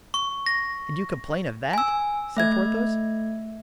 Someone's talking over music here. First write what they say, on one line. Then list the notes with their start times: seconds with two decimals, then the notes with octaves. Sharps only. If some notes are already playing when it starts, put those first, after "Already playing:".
"And you complain of that!" said Porthos.
0.14 C#6
0.46 A#6
1.73 G#5 E6
2.37 A3 E5 G#6